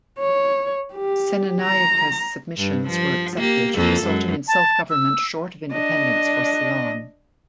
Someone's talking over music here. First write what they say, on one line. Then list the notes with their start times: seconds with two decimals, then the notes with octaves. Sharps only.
Senanayake's submissions were accepted, resulting in self-government short of independence for Ceylon.
0.19 C#5
0.94 G4
1.62 A#5
2.57 G2
2.88 F3
3.37 A#3 G4
3.76 F2 A#3 A4
4.04 F#2 G#3
4.48 A5
4.90 E6
5.72 D4 D#5